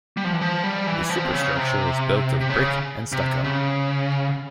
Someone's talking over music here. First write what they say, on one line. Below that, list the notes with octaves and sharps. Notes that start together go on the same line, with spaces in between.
The superstructure is built of brick and stucco.
G3
F3
E3
F3
G3
E3
F3
C3
C#3
C3
C3
C#3
C3
C#3